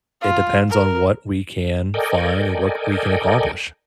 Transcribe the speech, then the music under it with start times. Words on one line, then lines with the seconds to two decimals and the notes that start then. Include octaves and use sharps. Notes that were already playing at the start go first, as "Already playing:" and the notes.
it depends on what we can find and what we can accomplish.
0.22 F4
0.70 A#4
1.94 A4 A#4 D5 D#5 G5 G#5